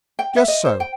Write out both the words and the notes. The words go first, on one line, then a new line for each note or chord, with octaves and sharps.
"Just so."
G5
E5
D#5
C5
G5